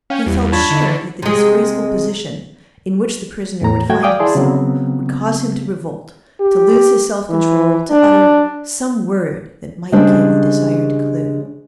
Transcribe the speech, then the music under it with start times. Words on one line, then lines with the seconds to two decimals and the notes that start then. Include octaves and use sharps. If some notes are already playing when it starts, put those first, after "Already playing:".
He felt sure that the disgraceful position in which the prisoner would find himself would cause him to revolt, to lose his self-control, to utter some word that might give the desired clue.
0.10 C#4 F5 G5 G6
0.26 E2 G3 B3 E4
0.52 F#2 D4 F4 C#5 A5 B5
0.70 D3 D#3 D#4
1.22 C3 G#3
3.61 E2 A2 A#5
3.89 F#3 A3 F#4 G5 G#6
4.03 D5 F5 G5 G#5 D6 D#6
4.20 E4 G#4 D5 A5 C6
4.35 C#3 F#3 B3 C4
6.40 G4
7.30 E3
7.90 D4
9.92 C#3 G3 G#3 D4 C5